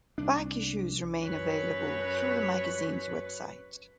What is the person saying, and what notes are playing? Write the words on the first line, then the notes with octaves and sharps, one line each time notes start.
Back issues remain available through the magazine's website.
C2 D4
F#2 B4 C#5